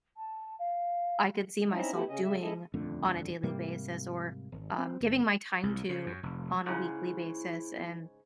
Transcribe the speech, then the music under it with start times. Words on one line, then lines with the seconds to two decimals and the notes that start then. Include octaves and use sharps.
I could see myself doing on a daily basis or, um, giving my time to on a weekly basis, and,
0.16 A5
0.59 F5
1.71 C4 C#4 D#4 E4 E5 A#5
1.92 A3 B3 E4 F#4 G4
2.09 C#3 C#4 D#5
2.23 C#3 G3 E5
2.42 G#3 E4 A4 D#5
2.74 D#1 F2 D3 A3
3.43 G#2 C3 G3 A#3
4.52 G#1
4.78 C4
5.00 G1
5.63 C2
5.89 C#3
6.06 F#2
6.23 F1
6.66 G#2 C#3 E4